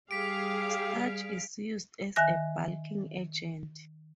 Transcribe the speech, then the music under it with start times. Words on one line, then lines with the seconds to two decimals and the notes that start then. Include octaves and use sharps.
Starch is used as a bulking agent.
0.11 G3 G4 G#4 F5 B6 D7
2.16 D#3 E5 G#5 F#6 A#6